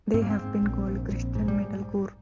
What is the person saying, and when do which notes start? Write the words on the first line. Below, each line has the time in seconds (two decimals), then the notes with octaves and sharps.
They have been called Christian metalcore.
0.14 G#2 C4
0.22 A#3
0.30 C4
0.39 G#2
0.62 A#1
0.86 A#1
1.10 A#1
1.35 G#2
1.48 G3